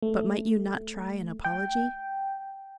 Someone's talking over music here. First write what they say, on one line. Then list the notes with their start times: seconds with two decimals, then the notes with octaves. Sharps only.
"But might you not try an apology?"
0.02 A3
1.44 G5